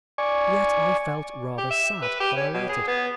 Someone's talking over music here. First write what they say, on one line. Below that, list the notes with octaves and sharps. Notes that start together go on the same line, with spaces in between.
Yet I felt rather sad than elated.
D5 G#5 C#6
G4
E5
B4
G4
C#4
B2
G#4
B3